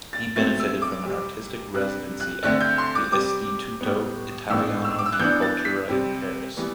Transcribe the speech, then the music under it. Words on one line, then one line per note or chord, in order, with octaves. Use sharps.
He benefited from an artistic residency at the Istituto Italiano di Cultura in Paris.
A6
B2 F#3 A3 C4 A6
E6
D6
C3 G3 C4
C3 G3 D4 F#6
F#6
D3 A3 C4 F#6
G6
C6
D6
C3 G3 C4 D6
A2 G3 B3
A2 E3 B3 D4 E6
E6
D6
E6
F#6
E3 B3 D4 G6
A6
B6
C3 G3 C4
E3 G3 B3